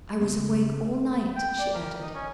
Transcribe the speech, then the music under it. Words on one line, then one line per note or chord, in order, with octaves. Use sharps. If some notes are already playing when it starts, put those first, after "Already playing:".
"I was awake all night," she added.
C#3 G#3 A#3 B3
G5
D5
A#4
D#4
C#4